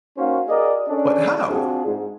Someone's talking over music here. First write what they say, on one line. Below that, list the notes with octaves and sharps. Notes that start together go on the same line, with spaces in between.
"But how?"
A#3 C#4 D#4 F#4 C5 F5
F#4 G#4 A#4 D5 D#5
C#4 D4 G#4 A4 D5
C4 D4 F4 F#4 G#4
G#2